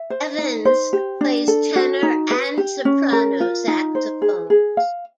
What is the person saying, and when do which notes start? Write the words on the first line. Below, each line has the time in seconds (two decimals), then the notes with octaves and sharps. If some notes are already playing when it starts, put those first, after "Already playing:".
Evans plays tenor and soprano saxophones.
Already playing: E5
0.10 C5
0.38 D#4
0.65 C5
0.93 G4
1.21 D4
1.48 A4
1.76 F#4
2.03 D#4
2.31 B4
2.58 G4
2.85 C#4
3.13 A#4
3.40 F4
3.68 D#4
3.95 C5
4.22 G#4
4.50 G#4
4.77 F5